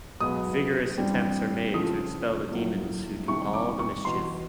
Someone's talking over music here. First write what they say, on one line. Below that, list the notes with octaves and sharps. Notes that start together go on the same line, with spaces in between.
Vigorous attempts are made to expel the demons who do all the mischief.
B1 B2 G#3 B3 D#6
G2 E3 G3 C4
C#2 C#3 F3 A3 D#6
A#1 A2 F#3 A#3
C2 C3 D#3 C#6
D6
C#6
E1 E2 B2 C6